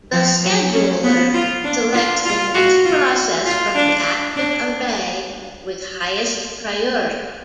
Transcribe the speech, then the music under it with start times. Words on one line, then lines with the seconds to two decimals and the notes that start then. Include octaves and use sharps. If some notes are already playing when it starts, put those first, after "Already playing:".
The scheduler selects the next process from the active array with highest priority.
0.12 F3
0.43 F#3
0.74 C#4
1.04 B3
1.34 F4
1.64 D4
1.94 F4
2.25 F4
2.54 F#4
2.85 F4
3.46 F4
3.75 D4
4.36 D4